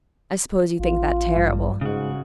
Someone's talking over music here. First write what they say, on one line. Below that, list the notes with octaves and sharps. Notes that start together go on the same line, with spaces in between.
"I suppose you think that terrible."
A1 F4
G2
G#2 C#3 F#4